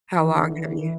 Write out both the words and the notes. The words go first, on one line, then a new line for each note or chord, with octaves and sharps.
how long have you
E3
D3
E3
E3
D3
E3